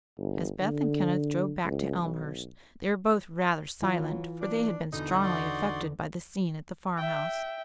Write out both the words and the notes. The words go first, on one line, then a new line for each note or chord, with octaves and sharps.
As Beth and Kenneth drove back to Elmhurst they were both rather silent, for they had been strongly affected by the scene at the farm-house.
G1
D3
C#2
B1
E3 F#3 F4
D4
E2 B2 D3 E3 D#4
F#4 D5 C6
E5 G5